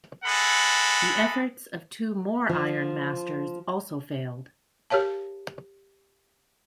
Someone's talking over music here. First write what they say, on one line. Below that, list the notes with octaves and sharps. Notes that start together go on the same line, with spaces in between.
The efforts of two more iron masters also failed.
G#3 A4 F#5 B5
F3
G4 A#4 C#5 F5 A5